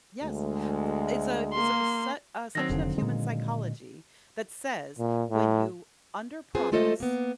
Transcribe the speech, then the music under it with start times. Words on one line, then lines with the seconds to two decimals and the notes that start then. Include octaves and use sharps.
Yes. Th It's a it's a set a section of human psychology that says, when you underpromise
0.24 D2 G#3
1.53 A#3 C6
2.55 D#3 F#3 C4 E6 A#6
2.70 F1 D3
2.98 A#2 G#3
4.99 A#2
5.30 A2
6.55 C4 F4 G#4 B4 C5
6.72 G#3 A3 F4 A4 C5 D#5
7.00 A#3 B3